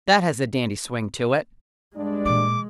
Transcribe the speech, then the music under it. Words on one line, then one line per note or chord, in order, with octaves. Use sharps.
"That has a dandy swing to it."
G2 G#3 D4 D5
A#2 E3 D6